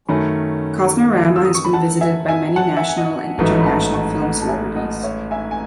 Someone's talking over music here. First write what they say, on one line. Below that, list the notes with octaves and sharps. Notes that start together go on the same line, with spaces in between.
Kosmorama has been visited by many national and international film celebrities.
F#2 D#3 A3 C#4 G#5 B5
E6
D#6
C#6
B5
F#5 A5
E5 G#5
E5 G#5
F#5 A5
E5 G#5
G#5
D#5 F#5
A1 G#2 F#3 A3 D#4 B4 D#5
B5
F#5 A5
A5 C#6
D#5 F#5
A5
E5 G#5
D#5 F#5
C#5 E5
E5 G#5
G#5